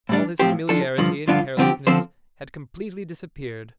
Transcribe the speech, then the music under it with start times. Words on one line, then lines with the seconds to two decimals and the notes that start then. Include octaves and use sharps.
All his familiarity and carelessness had completely disappeared.
0.09 A2 G3 D4
0.39 A2 F3 C4 G4 C5
0.69 F3 D4 A4
0.98 G2 D3 F3
1.28 G2 D3 F3 D4 F4
1.57 G2 D3 F3 C4 G4
1.87 D3 F3 C4 A4 C5